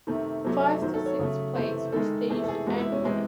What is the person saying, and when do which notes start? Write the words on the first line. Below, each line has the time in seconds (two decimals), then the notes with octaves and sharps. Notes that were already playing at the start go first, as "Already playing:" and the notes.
Five to six plays were staged annually.
0.07 C3 D#3 A3
0.45 C3 F#3 A3
0.82 D#3 F#3 A3 C5
0.94 A4
1.06 C#5
1.19 C#3 F#3 A3
1.56 C3 E3 A3 C5
1.92 D#3 G#3 A4
2.29 C3 E3 A3 G#4
2.44 A4
2.48 G#4
2.66 C3 E3 G#3 F#4
2.79 E4
2.92 C#4
3.04 C3 E3 G#3 C4